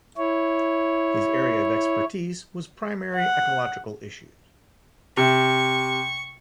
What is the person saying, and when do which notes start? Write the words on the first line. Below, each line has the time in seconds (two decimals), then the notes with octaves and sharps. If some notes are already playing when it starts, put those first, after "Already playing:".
His area of expertise was primary ecological issues.
0.17 E4 C#5
3.16 F#5
5.17 C3 C#6